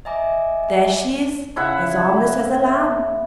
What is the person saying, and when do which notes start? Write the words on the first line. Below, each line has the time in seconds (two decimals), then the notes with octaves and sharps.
There she is as harmless as a lamb.
0.05 D#5 E5 G#5 A#5 D6
1.56 C#3 E4 E5 F#5